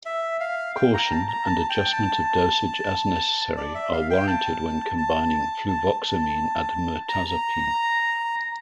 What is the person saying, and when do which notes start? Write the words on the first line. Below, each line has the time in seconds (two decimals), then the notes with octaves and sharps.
Caution and adjustment of dosage as necessary are warranted when combining fluvoxamine and mirtazapine.
0.05 E5
0.40 F5
0.76 G5
0.94 A#5
1.11 A5
1.28 A#5
1.46 A5
1.70 G5
1.93 A5
3.57 D5
3.75 E5
3.92 F5
4.10 G5
4.27 A5
4.98 A5
5.68 A5
6.03 A5
7.09 A#5